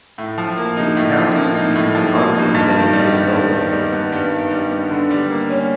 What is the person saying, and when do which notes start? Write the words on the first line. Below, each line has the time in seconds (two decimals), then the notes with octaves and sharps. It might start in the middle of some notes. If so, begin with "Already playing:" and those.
Its county seat and largest city is Logan.
0.18 A2
0.38 F3
0.57 A#3
0.77 D#4
0.97 A2
1.16 F3
1.36 A#3
1.56 D#4
1.75 A2
1.95 F3
2.15 A#3
2.35 D#4
2.54 G2
2.74 D#3
2.93 G3
3.13 B3
3.33 G2
3.53 D#3
3.72 G3
3.92 B3
4.12 G2
4.32 D#3
4.51 G3
4.71 B3
4.91 D3
5.11 G3
5.30 A#3
5.50 C#4